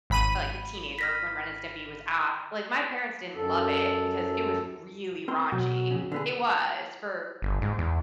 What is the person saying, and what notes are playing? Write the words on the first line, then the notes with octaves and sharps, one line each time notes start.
like, a teenager when Ren and Stimpy was off, like, my parents didn't love it because it was really raunchy. It was for,
G#1 B5 D#7
F6 A#6 B6
F#2 A4
C4 A#4 C6
B2 F#3 F#4
F2 C#3
D3 B3 G#4
G1
G#2
E2